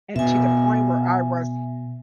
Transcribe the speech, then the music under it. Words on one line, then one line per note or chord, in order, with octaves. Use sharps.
and to the point where I was
B2 E5 G#5